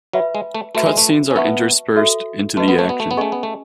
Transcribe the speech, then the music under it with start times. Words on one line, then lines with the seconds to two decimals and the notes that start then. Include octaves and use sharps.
Cut scenes are interspersed into the action.
0.13 F#3 B4 E5 B5
0.35 G#3
0.55 A3
0.75 A3 F#4 B4 E5 B5
0.86 G#3
0.97 A3
1.31 C#4
1.36 B3 B4 E5 A5 C#6
1.96 F#4 A4 E5
2.57 A3 F#4 B4 D#5
2.68 B3
2.79 A3
2.89 B3
3.00 A3
3.11 B3
3.17 A3 C#4 G#4 D#5 G#5 C#6
3.32 B3
3.43 A3